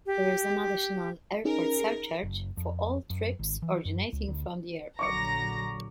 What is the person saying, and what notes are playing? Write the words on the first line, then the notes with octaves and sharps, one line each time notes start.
There is an additional airport surcharge for all trips originating from the airport.
G4
C#4 D#4 G#4 A#4
F#1
F2
F#2
G#1
E3
F#2
C#2
D2
A#1 D3 F#3 A#5 C#6 D6 A#6 C#7